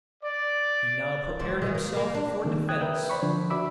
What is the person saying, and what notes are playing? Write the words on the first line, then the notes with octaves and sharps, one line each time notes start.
He now prepared himself for defence.
D5
G#2 C4
D#3 E3 G#3
A#3
A#3
D4
C3 D#3 A#3
G5 D#6 F#6 G#6
A#4 B4 E5 G5
C5 D5 B5 C#6
D3 F3 D4
F#4 D5 E5 B5 D6 E6